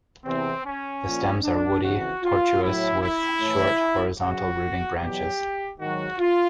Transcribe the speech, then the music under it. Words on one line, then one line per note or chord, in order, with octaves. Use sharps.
The stems are woody, tortuous, with short, horizontal rooting branches.
E2 C3 E3 C4
C#4
A#2 F3
D4
F2 C#3 E3 F#4
F4
A2 F#3 E4
E4
A2 E3
F#2 C#3 F#3 F#4
E2 B2 F#3 G4
G#2 D#3 F#3 F#4
F4